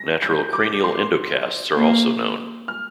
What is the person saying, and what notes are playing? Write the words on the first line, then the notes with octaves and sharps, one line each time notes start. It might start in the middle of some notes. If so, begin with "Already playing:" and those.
Natural cranial endocasts are also known.
Already playing: A#6
G6
D6
C6
A#3
F6